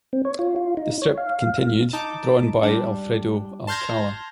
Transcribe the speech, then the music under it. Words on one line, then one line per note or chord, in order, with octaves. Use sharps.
The strip continued, drawn by Alfredo Alcala.
C4
C#5
F4
F4
D#4
C#5
F5
D#4 A5 D6
G3 D4
A5 C6 F6 G6 G#6 A#6